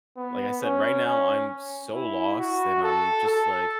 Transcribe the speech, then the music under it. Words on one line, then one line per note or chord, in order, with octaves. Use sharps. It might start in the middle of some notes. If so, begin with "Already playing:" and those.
like I said, right now, I'm so lost, and I'm just, like,
B3
C#4
C#4
E4
F#4
A4
A4